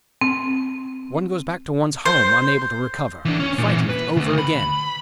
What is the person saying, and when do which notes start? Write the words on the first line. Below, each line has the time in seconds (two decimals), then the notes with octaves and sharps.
One goes back to one's home unable to recover. Fighting it over again.
0.21 C4
2.06 C5
3.25 E3 D4
3.40 C#4
3.58 A#2 E3
3.89 B4
4.16 D2
4.38 B5